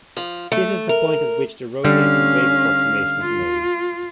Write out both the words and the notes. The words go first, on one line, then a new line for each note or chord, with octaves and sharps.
This is the point at which the rotating wave approximation is made.
F3
A3
A#4
D3 G3 C#4 F5
F4